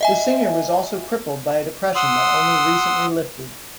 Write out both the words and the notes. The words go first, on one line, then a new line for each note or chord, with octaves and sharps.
The singer was also crippled by a depression that only recently lifted.
D#5 E5 G#5
F#5 C6 D#6 E6